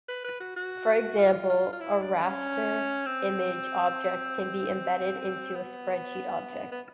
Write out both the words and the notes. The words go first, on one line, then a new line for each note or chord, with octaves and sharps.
For example, a raster image object can be embedded into a spreadsheet object.
B4
B4
F#4
F#4
F4
F4
F4
E4
D4
C#4
C4
B3
B3